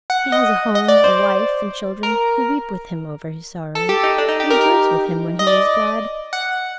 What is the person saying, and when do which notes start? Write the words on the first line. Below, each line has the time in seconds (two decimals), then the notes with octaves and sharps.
He has a home, a wife, and children, who weep with him over his sorrows, who rejoice with him when he is glad.
0.10 F#5
0.32 D#5
0.75 D#5
0.88 D5
1.04 C5
2.03 A#4
3.75 A4
3.89 G4
4.03 D#4
4.18 D4
4.28 D#4
4.40 G4
4.50 A#4
4.61 A#4
5.39 D#5
5.47 D5
6.33 F#5